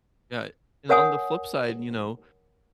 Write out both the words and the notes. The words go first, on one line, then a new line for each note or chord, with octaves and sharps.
Yeah, and on the flip side, you know,
A#4 C#5 F#5 G#5 D#6